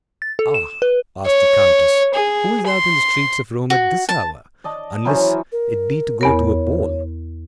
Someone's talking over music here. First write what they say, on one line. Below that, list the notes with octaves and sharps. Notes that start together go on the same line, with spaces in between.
"Ah," asked the countess, "who is out in the streets of Rome at this hour, unless it be to go to a ball?"
A6
A4
E7
B4
C#5
G#4
C6
F#4
A5
D5 D#5 A5
E3 F#3 C#4 C5
A#4
E2 B3 A#4 C#5